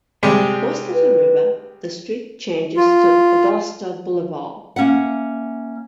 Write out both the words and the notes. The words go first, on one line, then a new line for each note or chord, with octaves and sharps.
West of the river, the street changes to Augusta Boulevard.
C3 G3 G#3
B4
F4
A#3 C#4 E5 F#5